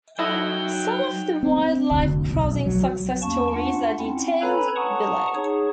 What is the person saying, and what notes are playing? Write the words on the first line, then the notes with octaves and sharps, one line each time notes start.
Some of the wildlife crossing success stories are detailed below.
F#3 D#4 E4 A4 D#5 G5
C4
F1 D2
B1
F#3
E2 A#3 C#4 A5 C#6
D4 F4 F#5
C4 C#4 E4
A4 B4 C#5 G#5 A#5 B5
F#5 A5 A#5 C#6 D#6
D#4 G#4 C#5